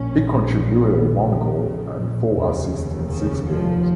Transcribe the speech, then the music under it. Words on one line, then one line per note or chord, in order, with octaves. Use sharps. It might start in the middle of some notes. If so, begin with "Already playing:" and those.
He contributed one goal and four assists in six games.
Already playing: A#1 A#2 C#4
B3
C#3
F1 D#2 C#3
C#3
F3